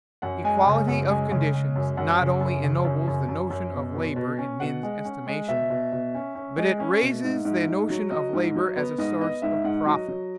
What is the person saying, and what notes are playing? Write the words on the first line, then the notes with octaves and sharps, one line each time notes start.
Equality of conditions not only ennobles the notion of labor in men's estimation, but it raises the notion of labor as a source of profit.
F#2 F#5
G#3 G#5
C#3 G#5
F#2 F#5
G#3 G#5
C#3
G#3
F#2
F#2 F#5
C#3
F#2
C#3
F#2
F#2
F#2
F#2
B2
B2
B2
C#4
B2 F#5
G#3
C#4
G#3
B2 E5
B2
B2
C#4
C#4
G#3
C#4
B2
G#2
G#2
G#2
F#3
F#3 D#5
G#2
F#3
B3
G#2 D#5
B3 D#5
G#2 E5
G#2 F#5
F#3 D#5
F#3